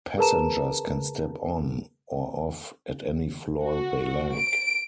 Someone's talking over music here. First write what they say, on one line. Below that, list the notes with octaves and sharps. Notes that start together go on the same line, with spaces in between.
Passengers can step on or off at any floor they like.
G#4 A#4 B4 A5 A#5 E7
F#4
D7